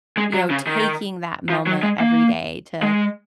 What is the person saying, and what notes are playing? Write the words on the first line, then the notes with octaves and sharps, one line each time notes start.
you know, taking that moment every day to,
G#3
F#3
C#3
D#3
F3
F#3
G#3
A#3
G#3